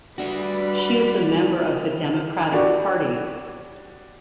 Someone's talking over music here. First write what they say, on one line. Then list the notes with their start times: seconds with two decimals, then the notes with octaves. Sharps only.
She is a member of the Democratic Party.
0.18 G3 D4 F#4 B4 B5
2.52 D4 F#4 G4